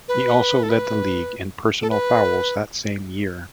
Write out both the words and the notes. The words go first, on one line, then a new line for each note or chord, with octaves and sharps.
He also led the league in personal fouls that same year.
B4
A4
B4
A4
B4